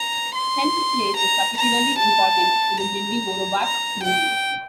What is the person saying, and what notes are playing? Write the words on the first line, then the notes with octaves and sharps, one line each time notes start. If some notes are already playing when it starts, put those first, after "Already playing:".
Sense of place was particularly important to the Jindyworobak movement.
Already playing: A#5
C6
A#5
A#5
A5
A#5
A#5
G5